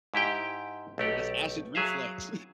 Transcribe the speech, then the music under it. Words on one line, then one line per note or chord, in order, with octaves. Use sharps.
That's acid reflex.
G#2 E4 G4 G5
B1 A3 G4 F#5
F#3 G#4 E5 F5